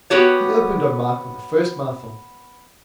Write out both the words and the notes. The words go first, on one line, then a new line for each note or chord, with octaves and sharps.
He opened on Mike with the first mouthful.
B3 F#4 G4 C#5